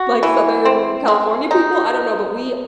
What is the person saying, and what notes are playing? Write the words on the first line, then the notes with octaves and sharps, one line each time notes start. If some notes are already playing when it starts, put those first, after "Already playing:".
like Southern California people? I don't know, but we
Already playing: F#4
E3
C4
G#3
D#4